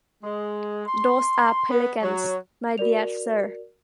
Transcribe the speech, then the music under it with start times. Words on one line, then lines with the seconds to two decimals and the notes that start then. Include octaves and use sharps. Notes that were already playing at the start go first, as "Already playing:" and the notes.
Those are pelicans, my dear sir.
0.24 G#3
0.87 C6
1.70 B3
2.02 F#3
2.78 F#4 A#4 D5 F7